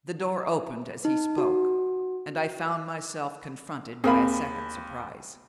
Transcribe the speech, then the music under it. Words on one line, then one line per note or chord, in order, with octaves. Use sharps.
The door opened as he spoke, and I found myself confronted by a second surprise.
D#4
F#4
D#2 C4 G#4 A#4 F5 B5